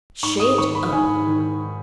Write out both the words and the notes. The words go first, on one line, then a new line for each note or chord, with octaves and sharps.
"Shet up!"
G#2 C#6
D#6
D#3 C#6
B5
G#2 G#5
D#3